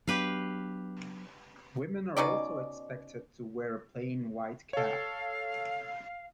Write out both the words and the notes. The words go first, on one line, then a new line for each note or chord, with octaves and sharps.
Women are also expected to wear a plain white cap.
F#3 B3 D4 G4 B4 F5
B2 C#4 D#4 D5
A4 C#5 F5